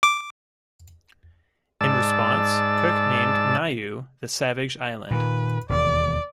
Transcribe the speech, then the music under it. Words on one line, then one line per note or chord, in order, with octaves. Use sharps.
In response, Cook named Niue the "Savage Island".
D6
G#2 D5 A5 E6
A#2 D#3 B4
E1 D#2 D5